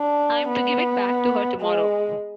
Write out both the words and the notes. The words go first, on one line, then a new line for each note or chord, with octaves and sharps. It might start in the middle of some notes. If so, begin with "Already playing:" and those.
I’m to give it back to her tomorrow.
Already playing: D4
B3
G#3